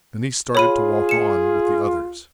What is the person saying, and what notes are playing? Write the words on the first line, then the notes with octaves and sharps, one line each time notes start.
Then he started to walk on with the others.
F4 G#4 C#5 B5 D#7
C#7 E7